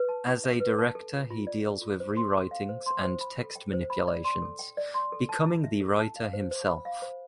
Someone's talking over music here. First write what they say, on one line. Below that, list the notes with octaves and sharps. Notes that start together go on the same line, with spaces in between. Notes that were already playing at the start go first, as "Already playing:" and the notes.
As a director he deals with rewritings and text manipulations, becoming the writer himself.
Already playing: B4
A5
E4
E5
B4
A5
A4
F4
F4
D5
A4
F4
C5
C6
A4
F5
C5
C6
C5
B5
A4
G5
C5
B5
D5
C6
A4
G5
D5
C6
A4
A5
E4
E5
A4
A5
F5
C5
C5
B5
F5
C5